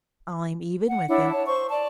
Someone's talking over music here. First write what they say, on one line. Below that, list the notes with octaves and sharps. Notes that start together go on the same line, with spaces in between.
I'm even with him.
F#5
D4 E4 C#5 F#5
C#5 A5
C5 C#6
D5 A5